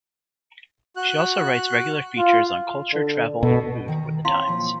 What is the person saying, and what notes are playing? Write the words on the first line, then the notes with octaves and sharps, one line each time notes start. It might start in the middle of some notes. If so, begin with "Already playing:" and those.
She also writes regular features on culture, travel and food for "The Times".
F#4 F#6
F4
D3
B2 A4
D#3 A#5
C4 E4 C#5 F5 C6
A#2 F3